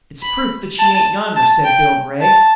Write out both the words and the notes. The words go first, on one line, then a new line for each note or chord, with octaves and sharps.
"It's proof that she ain't yonder," said Bill Gregg.
B5
A5
A5
G5
A5